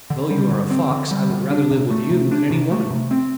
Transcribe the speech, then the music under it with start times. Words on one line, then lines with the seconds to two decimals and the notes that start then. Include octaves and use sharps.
Though you are a fox I would rather live with you than any woman.
0.10 D3
0.31 G3
0.51 D3
0.70 C4
0.90 D3
1.11 G3
1.30 D3
1.50 D4
1.71 C3
1.90 A3
2.10 C3
2.31 D4
2.50 C3
2.71 A3
2.90 C3
3.11 C4